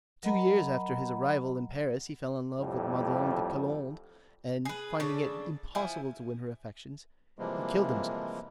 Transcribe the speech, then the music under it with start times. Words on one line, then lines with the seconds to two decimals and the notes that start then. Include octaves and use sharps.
Two years after his arrival in Paris he fell in love with Madame de Colande, and, finding it impossible to win her affections, he killed himself.
0.23 F#3 A#4 D#5 F#5 A#5 B5
2.60 F2 A2 G3
4.65 G#4 B4
5.00 C#3 D4 A4
5.75 F3 E4 G#5
7.39 C3 E3 F3 G3 G#3 A#3